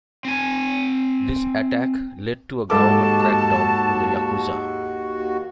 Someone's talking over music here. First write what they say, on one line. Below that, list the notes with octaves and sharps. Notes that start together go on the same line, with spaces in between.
This attack led to a government crackdown on the yakuza.
C4 G#5
D#2 G#2 F#4 A4 A5 D6